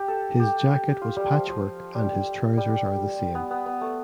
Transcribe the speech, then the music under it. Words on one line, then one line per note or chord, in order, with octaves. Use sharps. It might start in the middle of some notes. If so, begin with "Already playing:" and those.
His jacket was patchwork and his trousers are the same.
Already playing: G4
A4
G4
F4
G3
F3
F3
G3
G3
B3
B3
B3
A3